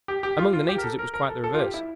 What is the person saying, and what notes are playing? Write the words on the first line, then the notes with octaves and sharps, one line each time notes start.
Among the natives it was quite the reverse.
G4
G4
F4
F4
G4
A#4
A4
A#4
A#4
A4
A4
F4
G4
E4